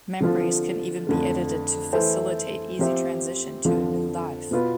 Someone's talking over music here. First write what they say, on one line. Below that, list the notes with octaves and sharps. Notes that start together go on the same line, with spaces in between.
Memories can even be edited to facilitate easy transition to a new life.
D3 F3 C4 F4
F2 D3 A3
E3 A3 E4 A4 C5
F3 C4 G4 C5 E5
F2 D3 F3 C4 F4
B2 B3 F4 B4